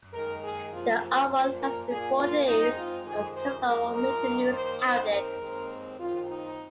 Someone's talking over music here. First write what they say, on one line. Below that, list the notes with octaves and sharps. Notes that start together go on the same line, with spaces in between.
The uproar lasted for days and was covered on all major news outlets.
D#2 D#3 G#3 A#4
G#4
C3 F3 A#3 F4
A#2 F3 A#3 C5
A#4
A#2 A#3 G#4
F4
G#2 G#3 C4 D#4
F4
F2 C3 D#3 G#3 G#4
C5
G#2 F3 G#3 C4 A#4
A#4
D#2 D#3 A#3
C5
D#2 D#3 C4 C5
A#4
D#2 D#3 G#3 C4
D#2 D#3 C4 F4
D#4